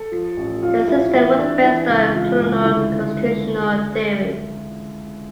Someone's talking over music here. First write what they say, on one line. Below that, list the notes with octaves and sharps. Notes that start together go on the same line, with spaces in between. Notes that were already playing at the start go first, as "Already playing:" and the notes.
The system was based on colonial constitutional theories.
Already playing: A4
F3
A1
F3 F4
A1 E4
E3 E4
F1 D4
E3 E4
C#2
E3 F4
C#2
D3 E4